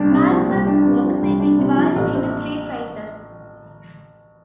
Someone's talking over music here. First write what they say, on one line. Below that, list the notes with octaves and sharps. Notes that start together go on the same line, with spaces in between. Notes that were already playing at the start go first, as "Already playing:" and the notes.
Madsen's work may be divided into three phases.
Already playing: C2 D4
C3
F3
C2
D4
C3
F3
C2
D4
C3
F3
A1
C4